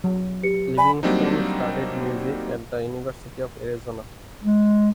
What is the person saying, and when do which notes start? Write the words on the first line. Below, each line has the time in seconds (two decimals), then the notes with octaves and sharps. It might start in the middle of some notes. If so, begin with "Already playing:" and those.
Livingston studied music at the University of Arizona.
0.04 F#3
0.43 G4 B4 C#7
0.78 D5 G#5 B5
1.03 F#3 G3 A#3 C4 D4 D#4
4.43 G#3